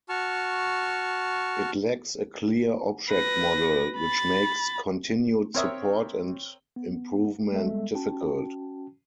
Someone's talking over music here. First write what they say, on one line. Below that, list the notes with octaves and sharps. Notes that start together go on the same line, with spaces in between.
It lacks a clear object model, which makes continued support and improvement difficult.
F#4 A5 C#6 F6
B4 A#6
B5 A6
C4 A#4 C#5 E5 D#6
B3
G3 G#3 B3 A4 E5
C#4 F#4 G5 A5